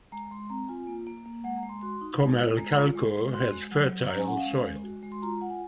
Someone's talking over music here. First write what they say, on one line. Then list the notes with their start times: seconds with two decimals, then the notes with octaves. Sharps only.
Comalcalco has fertile soil.
0.12 G#3 A#5
0.31 G#3 C6
0.50 C4 A#5
0.69 F4 G#5
0.87 A#3
1.07 A#3
1.26 A#3
1.44 G#3 F#5
1.57 A#5
1.63 G#3
1.69 C6
1.81 F#4 C6
2.01 D#4
2.20 G#3
2.39 F4
2.57 G#3 A#5
2.76 F4
2.95 G#3
3.14 G#3
3.34 F#4 C6
3.52 G#3
3.72 F#3
3.89 F#3
4.08 C#4 A#5
4.19 G#5
4.28 C#4 F#5
4.38 F5
4.46 G#3
4.66 G#3
4.84 F#4
5.03 G#3
5.12 C6
5.22 F4 A#5
5.41 F4 F#5
5.50 G#5